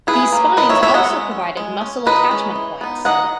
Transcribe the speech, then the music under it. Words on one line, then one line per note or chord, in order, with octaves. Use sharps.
These spines also provided muscle attachment points.
E3 G#4 B4
A#3 C#4
D#3 B4 D#5
C#5 E5
F#3 B3 C#5 E5
D#5 F#5
G#3
C#4
G#3
C#4
D#3 B4 D#5
G#3 C#4
E3
B3 D#4
D#3 D#5 F#5